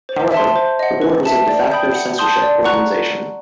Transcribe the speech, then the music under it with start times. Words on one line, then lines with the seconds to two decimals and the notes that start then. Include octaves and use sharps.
However, the Board was a "de facto" censorship organization.
0.09 C5
0.32 E5 A5 C6
0.56 C5
0.79 D#5 F#5
1.02 B4
1.25 E5 A5
1.48 D5
1.72 G5 B5 D#6 G6
1.95 F#5
2.18 A5 C6 D#6 G6
2.42 D5
2.64 F#5 A#5 C#6 F#6